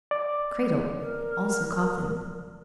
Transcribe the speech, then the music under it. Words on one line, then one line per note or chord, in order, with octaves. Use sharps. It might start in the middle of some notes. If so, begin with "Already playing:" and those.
Cradle; also coffin.
D5
A#4